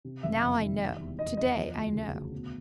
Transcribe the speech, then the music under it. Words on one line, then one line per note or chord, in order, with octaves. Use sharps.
Now I know--to-day I know.
C3
F#1 E5
F2
D#3
G3
E2
B2 D#5
E2 D#5
F3
D2
C#3
D2
B2